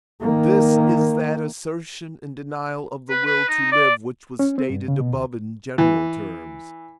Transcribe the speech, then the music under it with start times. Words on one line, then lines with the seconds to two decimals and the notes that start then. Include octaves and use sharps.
This is that assertion and denial of the will to live which was stated above in general terms.
0.21 D#3 A#3
3.10 B4
3.25 B4
3.48 D#4
3.72 D5
4.39 C#4
4.58 C4
4.70 G2
4.88 C#3
5.00 B2
5.14 D2
5.78 E3